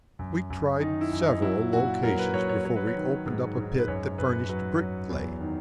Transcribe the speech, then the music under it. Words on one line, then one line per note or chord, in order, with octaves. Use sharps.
We tried several locations before we opened up a pit that furnished brick clay.
F#2
F#2
D#3 D#4
E4
F#2
D#4
F#3 E4
A#2 F#4
F#3 A#4
B4
F#3 C#5
C#5
F#3 C#5
B4
C#5
D#3
G#2
G#2
B4
F#2 C#5
F#2 B4
F#3 B4
F#3
E2
D#3